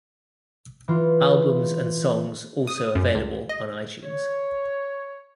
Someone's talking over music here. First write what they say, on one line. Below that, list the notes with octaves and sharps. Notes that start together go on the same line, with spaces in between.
Albums and songs also available on iTunes.
E3 F4
D#6
F#2
C#2
D#5
C#5